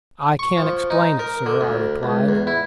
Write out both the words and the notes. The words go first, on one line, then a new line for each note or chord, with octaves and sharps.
"I can't explain it, sir," I replied.
C#6
F3
D#4
A#4
D3
D2
C#2
E2
E4